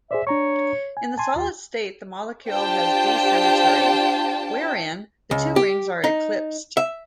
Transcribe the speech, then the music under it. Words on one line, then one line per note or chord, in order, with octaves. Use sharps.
In the solid-state, the molecule has D symmetry, wherein the two rings are eclipsed.
G#4 C5 D5 E5
D4 C#5 A#5 C#6
G#5
G#5 A5 C6
D#2 F4
D4 F4 G4 C5 G5 A5
C#2
G4
D#4
E5